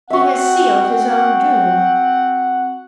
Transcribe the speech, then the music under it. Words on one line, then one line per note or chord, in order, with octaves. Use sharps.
He has sealed his own doom.
C4 F#4 E5 F#5